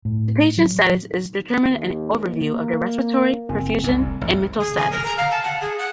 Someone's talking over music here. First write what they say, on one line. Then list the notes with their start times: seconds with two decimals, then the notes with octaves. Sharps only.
The patient's status is determined an overview of their respiratory, perfusion, and mental status.
0.05 A2
0.58 F#3
1.68 D#2
2.30 A#3
3.49 F#1 C4 G#5
3.84 C2 G#2
4.21 A1 G2
4.59 G#4
4.76 G#5
4.91 A#4
5.05 A#5
5.17 F5
5.30 A5
5.43 F#5
5.61 G#4
5.78 F#5